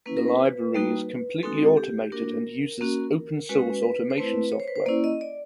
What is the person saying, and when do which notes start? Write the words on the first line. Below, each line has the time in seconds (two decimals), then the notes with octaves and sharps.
The library is completely automated and uses open source automation software.
0.06 A#3 C#4 E4 B4
0.17 A#4
0.28 B4
0.74 G3 A#3 D#4 F#4
1.43 G#3 C4 D#4 F#4 A4
1.77 G4
2.12 A#3 D4 F#4 A#4
2.81 A#3 C#4 F#4
3.49 G#3 C#4 F#4 B4
3.83 B4
4.10 C5
4.18 A3 C4 E4 B4
4.52 C#5
4.60 C5
4.68 B4
4.76 C5
4.86 A#3 C#4 E4 D5
5.04 D#5
5.21 D5